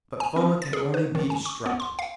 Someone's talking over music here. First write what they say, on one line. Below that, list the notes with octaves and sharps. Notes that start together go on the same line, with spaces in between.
But Foma can only be destructive.
G#5
C4
A6
G#4
B4
D#3
G#5
C#6
B3
C6
F5